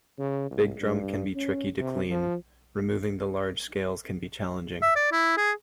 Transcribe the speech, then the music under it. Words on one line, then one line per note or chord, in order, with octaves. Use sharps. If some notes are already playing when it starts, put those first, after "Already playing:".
Big drum can be tricky to clean; removing the large scales can be challenging.
C#3
C2
G2
C#4
C3
F3
E5
D5
E4
G#4